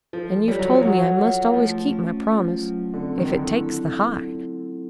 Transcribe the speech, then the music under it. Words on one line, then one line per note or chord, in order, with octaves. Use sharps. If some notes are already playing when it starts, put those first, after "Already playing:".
"And you've told me I must always keep my promise, 'if it takes the hide'!"
F3 A4
G3 C#5
F#3
F3
F#3 F#5
F4
F3 A3
C#4
F4
F#3
D3 C4
D#3
D3 E4
A4